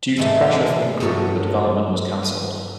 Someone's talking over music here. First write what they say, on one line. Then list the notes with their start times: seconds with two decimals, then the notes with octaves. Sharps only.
Due to pressure from the group, the development was cancelled.
0.17 G#2 C3 E3 G#3 A3
1.00 G2 F#3 B3 F#4 A4 B4
2.23 B4